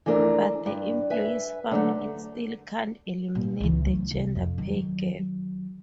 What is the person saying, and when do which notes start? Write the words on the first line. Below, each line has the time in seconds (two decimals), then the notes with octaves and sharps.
But the employees found it still can't eliminate the gender pay gap.
0.06 E3 F3 A3 D4 A#4 E5
0.66 G2
1.10 B4 E5 G#5
1.71 D3 F#3 G#3 A3
3.35 A#2
3.60 C#2 E3
3.84 D2 F#3
4.11 C2
4.36 F2
4.58 D#3 F#3